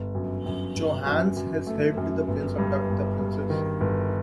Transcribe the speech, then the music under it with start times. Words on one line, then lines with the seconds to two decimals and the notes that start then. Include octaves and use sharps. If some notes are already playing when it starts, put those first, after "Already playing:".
Johannes has helped the prince abduct the princess.
Already playing: G1
0.15 F#2
0.46 F#2
0.76 G1
1.06 F#2
1.37 F#2
1.67 A3
1.97 F#2
2.28 G1
2.58 G2
2.90 G1
3.19 G2
3.50 D#3
3.81 G1